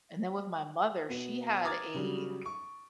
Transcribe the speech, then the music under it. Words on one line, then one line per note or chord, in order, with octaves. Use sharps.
and then with my mother, she had a
B2 B3 D#7
A#5 D6 D#6 F6 G#6 A6
C#3 F#3 G3
C#6 D7